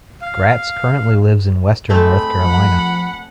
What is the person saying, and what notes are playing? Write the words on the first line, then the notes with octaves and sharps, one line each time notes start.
Gratz currently lives in western North Carolina.
F5
G#3 A3 C4 B5
F3 F#5